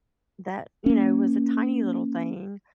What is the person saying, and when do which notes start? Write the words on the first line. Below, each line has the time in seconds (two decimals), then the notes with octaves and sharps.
that, you know, was a tiny little thing,
0.86 A#3 C#4